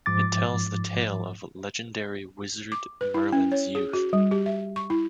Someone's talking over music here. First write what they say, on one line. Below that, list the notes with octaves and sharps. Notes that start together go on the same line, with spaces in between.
It tells the tale of the legendary wizard Merlin's youth.
G#2 F3 D6 A6
D6
B4
E4
C#4
C#5
G#4
F#4
G3
G4
E5
C#6
E4